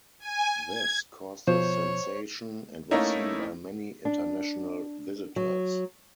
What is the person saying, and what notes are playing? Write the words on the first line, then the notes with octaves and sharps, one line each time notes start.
This caused a sensation and was seen by many international visitors.
G#5
G#6
B2 F3 C5 C#5
A3 A#3 C#4 D#4 E4
D4
F#3